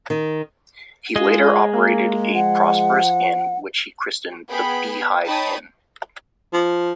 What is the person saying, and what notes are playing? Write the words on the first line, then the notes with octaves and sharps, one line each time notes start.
He later operated a prosperous inn which he christened the "Beehive Inn".
D#3
G#3 F4 G#4 D#5
A#3
F3 F#5
B3 G#4 G5 B5
D#4 C#5 G5 A5 B5 D#6
F3